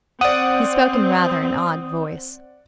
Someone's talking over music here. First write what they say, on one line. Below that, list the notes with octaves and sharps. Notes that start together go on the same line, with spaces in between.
He spoke in rather an awed voice.
C4 D5 F#5 D#6